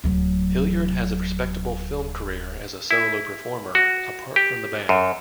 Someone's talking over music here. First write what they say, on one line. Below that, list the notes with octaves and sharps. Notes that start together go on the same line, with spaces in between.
Hilliard had a respectable film career as a solo performer, apart from the band.
D1 F#3
E4
F#4
G4
F#2